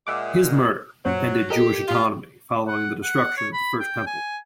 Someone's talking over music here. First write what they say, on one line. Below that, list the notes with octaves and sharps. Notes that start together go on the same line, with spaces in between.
His murder ended Jewish autonomy following the destruction of the First Temple.
A#2 G#3 E5 F#5 D6
F#2 A#2 F#3 C5
G4 A4 A#4 D#5
F4
F#5
F#5
C#5
B5
G5
G#5